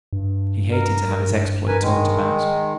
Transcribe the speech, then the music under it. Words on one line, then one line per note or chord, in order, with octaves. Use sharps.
He hated to have his exploit talked about.
G2
A#4
A#4 B4 G#5
D#3 G#3